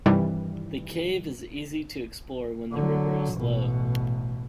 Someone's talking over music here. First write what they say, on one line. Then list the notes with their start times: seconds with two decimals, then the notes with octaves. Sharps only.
The cave is easy to explore when the river is low.
0.06 G2 C3 D#3 E3 G3
2.71 D3 F#3
3.34 A1 B2